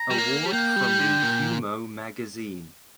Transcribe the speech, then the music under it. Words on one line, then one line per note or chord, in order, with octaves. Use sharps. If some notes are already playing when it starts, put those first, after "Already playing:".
Award from the Humo magazine.
Already playing: A#5
G3
A#3
G3
A#3 G5
G3
D3
A#2